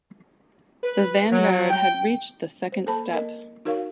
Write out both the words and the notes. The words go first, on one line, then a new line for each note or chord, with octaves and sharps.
The vanguard had reached the second step.
B4
F#3
G5
C5
A#3 A4 C5 A5 B5
A#3 A#4 D#5
D#4 F#4 A#4 C#5 F5 C#6